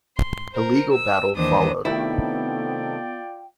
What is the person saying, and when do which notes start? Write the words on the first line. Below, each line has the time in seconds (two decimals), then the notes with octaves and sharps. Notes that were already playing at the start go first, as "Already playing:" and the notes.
A legal battle followed.
0.17 C6
0.53 A#4 C5
0.92 E6
1.35 D#2 D#3 E3 D4 C5 D#6
1.85 C3 D#3 A3 B3 E4 F4 D5 G5